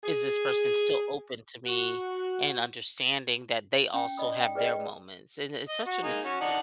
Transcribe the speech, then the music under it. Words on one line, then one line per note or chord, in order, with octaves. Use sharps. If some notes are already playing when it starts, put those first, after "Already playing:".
"Is this person still open to me," and understanding that they also have their moments? And it's such an
G#4
F#4
C#4 G5
D5 D#5 B5 D#6
G5
G#4 B4 D5 D#5 G5
D#5
F#4
A#3 D#4 G#4
C#4 F#4
D4 D#4 F#5